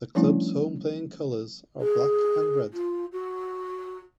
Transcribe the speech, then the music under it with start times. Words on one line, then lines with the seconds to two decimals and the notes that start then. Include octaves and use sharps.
The club's home playing colours are black and red.
0.15 F3 G3 A3 C#4 D4 E4
1.81 G#4
2.73 F4
3.12 F#4